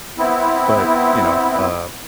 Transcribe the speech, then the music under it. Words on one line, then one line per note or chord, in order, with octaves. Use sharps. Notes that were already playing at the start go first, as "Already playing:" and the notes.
but, you know, a
B3 C4 E4